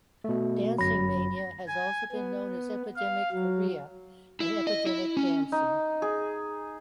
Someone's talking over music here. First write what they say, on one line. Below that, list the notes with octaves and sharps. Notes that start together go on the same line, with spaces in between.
Dancing mania has also been known as epidemic chorea and epidemic dancing.
B2 A3
G1 F#2 F#3 B5 A#6
G#5
B3
F5
F#3
E4
D#5
E4
C#4
D#4
G#4